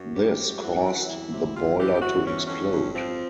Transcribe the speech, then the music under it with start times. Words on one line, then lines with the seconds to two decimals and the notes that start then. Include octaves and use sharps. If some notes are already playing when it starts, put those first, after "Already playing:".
This caused the boiler to explode.
Already playing: F#2
0.15 G3 G4
0.38 F#2
0.62 E3 F#4
0.85 C3
1.08 E2 E4
1.31 C3
1.55 C3 F4
1.78 E3 G4
1.95 G4
2.01 E3 F#4
2.25 E2 C#4
2.47 F2 C#4
2.71 F2
2.94 F3 C4